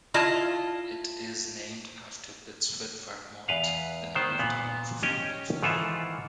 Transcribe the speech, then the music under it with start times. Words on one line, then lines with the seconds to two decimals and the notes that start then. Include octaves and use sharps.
It is named after Pittsford, Vermont, the native town of a founding father.
0.14 E4 F4 D#5 A5
3.48 E2 B4 F5
4.15 D#3 B3 C5
4.39 A#2 B3
5.02 C#4 G4 D#5 G#5
5.63 G#2 D#3 E3 F4 A4 E5